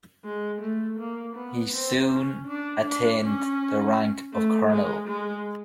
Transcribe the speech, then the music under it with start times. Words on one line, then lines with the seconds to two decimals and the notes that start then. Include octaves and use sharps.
He soon attained the rank of colonel.
0.24 G#3
0.61 A3
0.99 A#3
1.36 B3
1.73 C4
2.10 C#4
2.47 D4
2.85 D4
3.21 C#4
4.33 A3
4.71 G#3
5.08 G#3